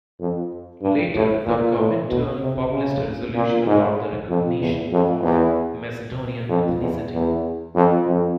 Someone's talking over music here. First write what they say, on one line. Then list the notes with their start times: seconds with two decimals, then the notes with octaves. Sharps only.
Later the Comintern published a resolution about the recognition of Macedonian ethnicity.
0.20 F2
0.82 G2
1.14 A2
1.46 A#2
1.76 A2
2.08 B2
2.40 C3
2.71 C#3
3.35 A#2
3.66 G#2
4.29 F2
4.60 E2
4.92 F2
5.23 E2
6.49 F2
6.80 E2
7.12 E2
7.75 F2
8.06 F2